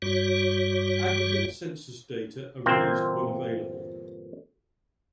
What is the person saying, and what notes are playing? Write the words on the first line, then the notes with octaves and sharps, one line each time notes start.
Aggregate census data are released when available.
G2 G3 F#4 C#5
G1 A#2 E3 A#3 C4 C5